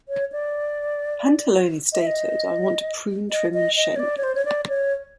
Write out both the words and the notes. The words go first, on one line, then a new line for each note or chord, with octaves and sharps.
Pantalone stated I want to prune, trim and shape.
C#5
D5
D#5
E5
D#5
D#5
D#5
D#5
C#5
D5
C#5
C5
C#5
D5
C#5